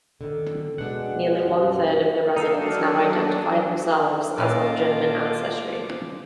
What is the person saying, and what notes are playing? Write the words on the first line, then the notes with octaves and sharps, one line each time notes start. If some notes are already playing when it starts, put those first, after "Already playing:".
Nearly one-third of the residents now identify themselves as of German ancestry.
D3 D#3 A4
B2 G#3 D4 F#5
F#2 G4
F#3 D4 D#4 A4 F5
A#2 C#4 F4 D#5 A5 D6